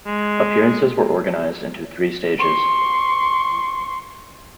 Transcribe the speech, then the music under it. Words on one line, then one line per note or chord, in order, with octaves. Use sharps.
Appearances were organized into three stages.
G#3
C6 C#6